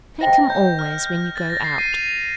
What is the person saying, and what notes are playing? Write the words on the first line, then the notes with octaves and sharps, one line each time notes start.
Thank him always when you go out.
C5 D#5 G5 A#5 A#6
G6
F6
G6
A6
A#6
C7
D#7
F7